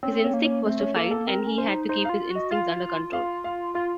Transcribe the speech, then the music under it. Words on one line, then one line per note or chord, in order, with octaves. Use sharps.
His instinct was to fight, and he had to keep his instincts under control.
C4 C#4
C#4
A#3
C#4
A3 C4
C#4
A#3 A4
A4
C4 A#4
C#4
C5
D#4
D#4 C5
F4 F5
F#4 D#5
F4 F5
F5
F5
F4 F5